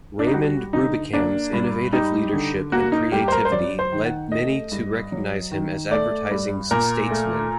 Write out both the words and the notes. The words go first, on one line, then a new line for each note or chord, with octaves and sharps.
Raymond Rubicam's innovative leadership and creativity led many to recognize him as advertising's statesman.
D4
D#4
G3 F#4
D3 D#4
A#3 D4
G2
G3 D#4
D3
A#3 F#4
D#4
G2 G4
C5
A#4
C5
F#3 D5
C5
D#3
F#5
A3 D#5
G2
F#3
D#3
A3 D5
G2
A#2 A#4
A3